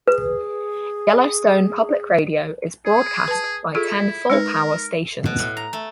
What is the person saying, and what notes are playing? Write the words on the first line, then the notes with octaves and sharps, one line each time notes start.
Yellowstone Public Radio is broadcast by ten full-power stations.
G#4 B4
G#4
B4 A5
E4 F4 G#4 A4
G#3 D#4 A#4 B4
B2
A2
A#5
A3